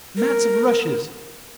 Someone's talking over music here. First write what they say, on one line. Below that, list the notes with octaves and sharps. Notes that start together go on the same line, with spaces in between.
Mats of rushes.
A#4